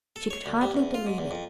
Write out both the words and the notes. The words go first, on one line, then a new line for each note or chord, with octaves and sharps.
She could hardly believe it.
A4
C#5
D2
G3
E2
F4
G#2
E2
F2